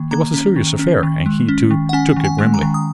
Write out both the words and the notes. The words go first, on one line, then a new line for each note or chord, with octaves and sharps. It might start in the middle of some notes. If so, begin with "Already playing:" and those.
It was a serious affair, and he, too, took it grimly.
Already playing: D#3 A#3
A#3 A#5
C#4
D#3
C#4
D#3
G#3
C#4
D#3
F#5
C#4 G#5
D#3
G#5
G#3
A#5
D#3
D#6